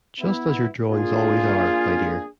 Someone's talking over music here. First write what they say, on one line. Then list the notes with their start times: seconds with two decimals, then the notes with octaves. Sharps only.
Just as your drawings always are, my dear.
0.20 B3 E4
0.91 A#3 D4 F4 G#4